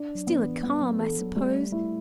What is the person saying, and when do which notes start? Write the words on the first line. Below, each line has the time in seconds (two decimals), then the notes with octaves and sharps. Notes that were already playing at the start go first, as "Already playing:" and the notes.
Still a calm, I suppose?
Already playing: D4
0.15 F#3
0.27 B3
0.39 E3
0.63 G3 B3
0.82 F#3
1.00 E3 A4
1.18 F#3
1.36 G3 A3
1.72 A3 E4